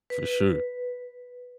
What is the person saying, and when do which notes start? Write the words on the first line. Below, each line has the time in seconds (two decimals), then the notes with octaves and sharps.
For sure.
0.10 B4